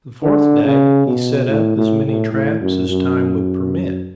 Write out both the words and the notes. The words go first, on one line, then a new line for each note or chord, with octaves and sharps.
The fourth day he set up as many traps as time would permit.
D3
C#3
B2
A2
A2
A2
A2
F#2
F#2